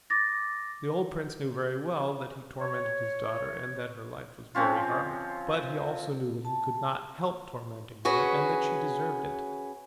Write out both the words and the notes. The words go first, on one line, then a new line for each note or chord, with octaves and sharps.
The old prince knew very well that he tormented his daughter and that her life was very hard, but he also knew that he could not help tormenting her and that she deserved it.
D6 A6 A#6
C#5
F3 C4 C#4 F4
A5
C#4 F#4 G#4 B4